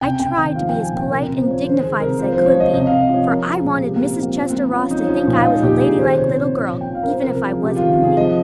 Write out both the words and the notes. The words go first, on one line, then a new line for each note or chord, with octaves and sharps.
I tried to be as polite and dignified as I could be, for I wanted Mrs. Chester Ross to think I was a ladylike little girl even if I wasn't pretty.
C3 G5
C3 G5
D#3 G5
F3 F5
F3 G5
G#5
A#2 G5
C3 A#4
A#4
C3
C5
F3 C#5
D#3 C5
D#3 G#4
C3 A#4
F3 C5
F3 C5
C#5
F3 D#5
C3 D#5
C3 F5
D#5
F3 C#5
F3 A#4
F3
G#4
A#2
C3 G4
C3 A#3
C4
F3 A#3
F3 C4
F3 A#3
C4
F3
C#4
F3 D#4
F3 C#4
D#4
A#2
F4
F3 D#4
A#2 G4
A#2 G#4
D#3 C5
C3 C#5
C3 C5
F3 C#5
A#2
G5
F3 F5
A#4
F3 C5
A#4
C3
A#4
F3 G#4
C3 G4
F4
D#3
F4
C3
G#4
F3 D#5